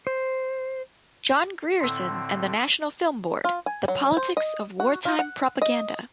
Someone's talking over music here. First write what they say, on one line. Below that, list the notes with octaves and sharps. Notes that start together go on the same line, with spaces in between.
John Grierson and the National Film Board: The Politics of Wartime Propaganda.
C5
A2 D3 C4 C6 E6
F4
G#5
F#3
C5
D#5
F#4
F4
F#5
D#5